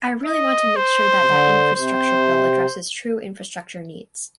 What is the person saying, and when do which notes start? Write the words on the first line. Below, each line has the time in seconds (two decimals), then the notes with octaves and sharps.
I really want to make sure that that infrastructure bill addresses true infrastructure needs.
0.26 D#5
0.76 C5
1.19 C3
1.26 D3
1.76 C3 C5